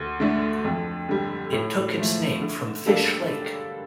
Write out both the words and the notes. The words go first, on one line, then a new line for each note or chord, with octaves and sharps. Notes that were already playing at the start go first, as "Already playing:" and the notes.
It took its name from Fish Lake.
Already playing: D2
D3 A3 D4
F2
D3 G3
A2
F3 A3
D3
G3 A#3 D4 A4